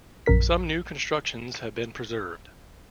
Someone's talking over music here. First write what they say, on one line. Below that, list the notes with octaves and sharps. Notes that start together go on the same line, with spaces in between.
Some new constructions have been preserved.
A#1 F#2 A#4 B6